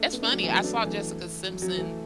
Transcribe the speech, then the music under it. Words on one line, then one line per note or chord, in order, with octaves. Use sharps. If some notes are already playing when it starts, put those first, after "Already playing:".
it's funny, I saw Jessica Simpson,
Already playing: A3 D4
B3
A3 D4
F#3 B3
E3 A3
F#3 B3
A3 D4
F#3 B3
E3 A3
F#3
F#3
E3 A3